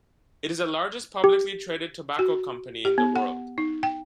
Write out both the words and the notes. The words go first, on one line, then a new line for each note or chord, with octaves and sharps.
It is the largest publicly traded tobacco company in the world.
G4
F#4
G4
B3
F#5
D#4
G5